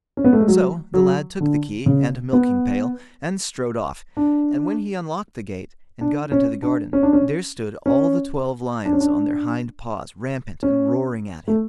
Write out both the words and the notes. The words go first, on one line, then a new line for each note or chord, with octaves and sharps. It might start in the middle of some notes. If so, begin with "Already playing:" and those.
So the lad took the key and a milking pail, and strode off; and when he unlocked the gate and got into the garden, there stood all the twelve lions on their hind-paws, rampant and roaring at him.
C#4
B3
A3
G#3
F#3
F#3
D3
C#3
B3
D4
D4
C#4
D4
C#4
D4
C#4
C#4
D4
C#4
D4
C#4
A3